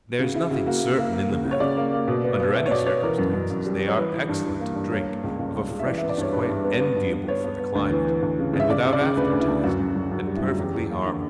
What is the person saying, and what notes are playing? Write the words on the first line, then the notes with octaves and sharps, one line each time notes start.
There is nothing certain in the matter. Under any circumstances, they are excellent to drink, of a freshness quite enviable for the climate, and without after-taste, and perfectly harmless.
C#3 F#4
C#3 E4
C#3 F#4
A#3 F#4
A#3
A#3
A#3
C#3
C#3
C#5
C#3 D5
A#3
A#3
B2
B3
B3
B3 E5
C#5
B2 D5
B3 C#5
E3 A#4
F#2
F#2
F#2
G3
G3
C#5
E3 B4
E3
G2
E3
A#3
G2
A#3 C#5
A#3
C#2
C#2
C#2
C#2
E5
E3 D5
E5
B3
D5
G2 C#5
G2 B4
G2
B3
B3
G2
B3
B3 C#5
B3
B3
D2
E3
E3
D2
C#3
C#3
E5
C#3 D5
C#3
D5
C#3
D2 B4
D2
E4
D2
F#2 F#4
F#2
F#2
F#2
G3
E4
F#2 F#4
E2 G4
E2
A#3
D3